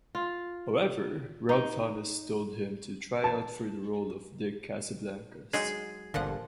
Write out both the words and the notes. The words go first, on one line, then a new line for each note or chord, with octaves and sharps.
However, Rob Thomas told him to try out for the role of Dick Casablancas.
F4
D#4
A5
F#3 G#3 D#4 G#4
G1 A#2 D3 F3 F#5